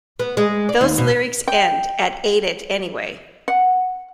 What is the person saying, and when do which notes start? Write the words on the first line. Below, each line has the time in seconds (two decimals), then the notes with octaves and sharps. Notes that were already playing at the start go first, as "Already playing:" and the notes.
Those lyrics end at Ate it anyway.
0.20 B3
0.37 G#3
0.69 D5
0.81 D#2
0.98 B2
1.48 G5
3.48 F#5